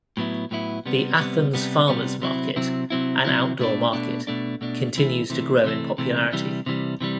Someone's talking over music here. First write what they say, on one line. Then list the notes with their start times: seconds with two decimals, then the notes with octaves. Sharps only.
The Athens Farmers Market, an outdoor market, continues to grow in popularity.
0.17 A2 F#3 B3 E4
0.51 A2 F#3 B3 E4
0.86 C3 G3 B3
1.19 C3 G3 B3
1.53 C3 G3 B3
1.88 C3 G3 B3
2.22 C3 F#3 C4 E4
2.56 C3 F#3 C4 E4
2.90 C3 F#3 C4 E4
3.25 C3 F#3 C4 E4
3.59 B2 A3 D4
3.93 B2 A3 D4
4.27 B2 A3 D4
4.61 B2 A3 D4
4.95 C3 E3 A3
5.30 C3 E3 A3
5.64 C3 E3 A3
5.98 C3 E3 A3
6.33 C3 E3 G3
6.66 C3 E3 G3
7.01 C3 E3 G3